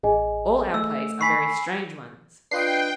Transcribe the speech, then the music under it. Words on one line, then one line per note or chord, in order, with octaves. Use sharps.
All our plays are very strange ones.
A1 G#4 D#5 G#5
A3 E6
G#5 B5 C#6 B6 C7
D4 F4 B4 D#5 G5 C7